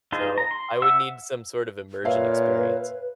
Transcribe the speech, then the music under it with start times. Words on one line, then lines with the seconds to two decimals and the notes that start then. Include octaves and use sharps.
So, I would need some sort of immersion experience.
0.12 D#4 F4 G#4 C5
0.38 A#5
0.51 C6
0.82 E5 F#5 E6
2.05 A#2 B4 C#5 E5 F5